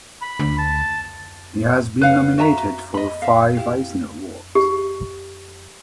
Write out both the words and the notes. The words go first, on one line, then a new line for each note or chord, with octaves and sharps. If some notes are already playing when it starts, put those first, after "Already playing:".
He has been nominated for five Eisner Awards.
B5
D2
A5
B4 F5 F#5
F#4 E5 G#5 A#5
D#5 B5
E5 F5
E4 G4 F5
G4